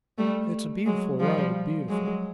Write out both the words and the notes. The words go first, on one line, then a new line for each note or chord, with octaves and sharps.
It's a beautiful road, beautiful.
G3 A3
F#3 G#3
F3 G3
F#3 G#3